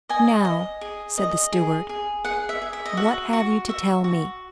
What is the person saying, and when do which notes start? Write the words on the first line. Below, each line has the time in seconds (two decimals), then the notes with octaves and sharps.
"Now," said the steward, "what have you to tell me?"
0.09 D#5 G#5
0.45 D#5
0.81 G#4
1.18 D#5
1.53 G#4
1.89 G#4
2.24 G#4 F#5
2.49 E5
2.62 G#4
2.73 E5
2.85 D#5
2.97 F#4 E5
3.33 F#4
3.68 F#4 E5
4.04 F#4